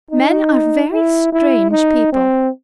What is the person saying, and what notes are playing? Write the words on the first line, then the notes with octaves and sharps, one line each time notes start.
Men are very strange people.
D#4
E4
E4
D#4
C4